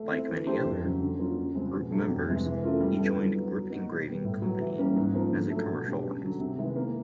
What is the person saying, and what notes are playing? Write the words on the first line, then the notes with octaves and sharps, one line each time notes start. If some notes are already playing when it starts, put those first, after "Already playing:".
Like many other Group members, he joined Grip Engraving Company as a commercial artist.
Already playing: A3
C4 E4
E3
A3 D4 G4 C5
F2
C#3 F#3
D3
F#3 A#3 C#4 F4
F#2
C#3 F3 G#3 C4
B2
F#3 A3 D4
F2
C3 E3 G#3
E3
A3 C#4 F4 A#4
G3
B3 E4 A4
D3
F#3 B3
F#3
A#3 D#4 F#4
B2
G3 B3
A2
F#3 B3
E3
G3 A#3 C#4
G#2
F3 A#3
D3
F#3 A3
B2
G#3 B3 D4 G4
F#2
D3 F#3
C3
D#3 G#3 B3 E4
A#3